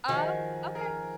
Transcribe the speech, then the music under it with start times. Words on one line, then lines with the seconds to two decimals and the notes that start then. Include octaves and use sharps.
Oh, okay.
0.08 D#3 F3 F#4 G#4
0.75 G#4 A#4